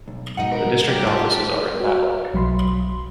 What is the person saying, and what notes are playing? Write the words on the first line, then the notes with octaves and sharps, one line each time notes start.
The district offices are in Matlock.
B1
G#2 B2 D#4 D#5 F#5
A#4 B4
C3
G3 G4
F4 A4 A5
F#4 E5 F5
B1 F#3 B5 C6